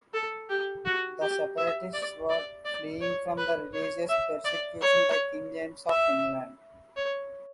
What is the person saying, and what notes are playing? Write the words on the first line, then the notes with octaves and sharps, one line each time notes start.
The Separatists were fleeing from religious persecution by King James of England.
A4
G4
F#4
G4
E5
D5
D5
D5
C#5
B4
C#5
E5
D5
C#5
E5
C#5